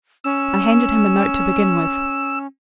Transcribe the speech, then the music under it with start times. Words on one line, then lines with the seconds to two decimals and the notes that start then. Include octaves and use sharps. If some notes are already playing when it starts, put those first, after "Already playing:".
I handed him a note to begin with.
0.24 C#4 E6